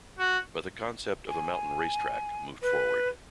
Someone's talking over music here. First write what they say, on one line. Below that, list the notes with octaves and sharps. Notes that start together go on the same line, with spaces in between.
But the concept of a "mountain race track" moved forward.
F#4
G#5
B4